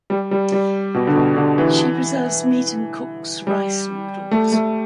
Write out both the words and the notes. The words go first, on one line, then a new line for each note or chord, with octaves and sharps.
She preserves meat and cooks rice noodles.
G3
G3
G3
B2
D3
B2
D3
E3
G3
A3
A3